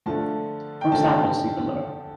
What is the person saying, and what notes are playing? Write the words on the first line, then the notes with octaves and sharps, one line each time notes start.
For examples see below.
D3 F3 A3 F4 A5
G5
D3 F3 A3 F4 A5